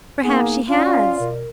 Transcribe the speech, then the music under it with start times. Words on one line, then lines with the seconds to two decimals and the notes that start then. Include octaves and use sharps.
Perhaps she has.
0.24 A#3 B3 D#4 G#4
0.69 C#4 F4 D5 F5
1.20 B2 A#4